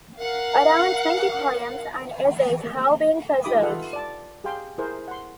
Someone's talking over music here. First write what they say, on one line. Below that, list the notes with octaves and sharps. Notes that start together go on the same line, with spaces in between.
Around twenty poems and essays have been preserved.
A#4 F5 F#5
D#4 F4 G4 B5 D6 D#6
F4 A4 B4 E5 F#5
D5 A5
G4 G#4 F5 G5 C6
E4 G#4 A#4 C5
F#5 C6